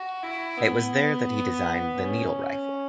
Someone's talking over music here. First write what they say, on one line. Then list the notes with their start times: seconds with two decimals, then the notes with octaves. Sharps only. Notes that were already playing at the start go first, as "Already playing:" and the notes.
It was there that he designed the needle rifle.
Already playing: F#4
0.23 E4
0.57 B3
1.96 C#4